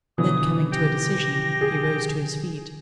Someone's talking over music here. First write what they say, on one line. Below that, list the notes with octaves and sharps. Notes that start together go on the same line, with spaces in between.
Then coming to a decision, he rose to his feet.
B2 D3 E3 F3 D#6
G4 A#6
G#4